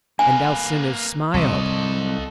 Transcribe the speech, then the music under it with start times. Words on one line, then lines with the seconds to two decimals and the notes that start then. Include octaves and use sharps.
And Alcinous smiled.
0.19 A#3 B4 G#5
1.34 C2 A4 D#5